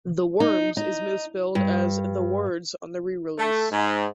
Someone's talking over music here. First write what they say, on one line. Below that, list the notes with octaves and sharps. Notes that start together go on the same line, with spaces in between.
"The Worms" is misspelled as "The Words" on the re-release.
D#4
D#4
G2
A3
G#2